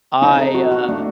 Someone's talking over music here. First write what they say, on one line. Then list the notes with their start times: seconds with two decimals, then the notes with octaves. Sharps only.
I, uh,
0.22 C4 D#4
0.39 A4
0.55 F#4
0.72 F#4
0.89 A3 D4